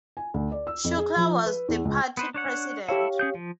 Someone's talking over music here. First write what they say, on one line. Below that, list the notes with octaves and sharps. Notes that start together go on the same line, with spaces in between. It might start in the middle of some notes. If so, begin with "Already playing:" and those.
Shukla was the party president.
G#5
D2
D5
E6
F2
G#4
F3
B4
E2
C#2
B3 B4 C5
D4 C#5 F#5
E4 G4 A4 C#5 E5 F5
C#4 G#4 G6
F3